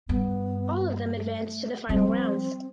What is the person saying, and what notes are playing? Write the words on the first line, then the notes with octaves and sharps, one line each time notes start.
All of them advanced to the final rounds.
G2 B3
A3
F3 G3 C4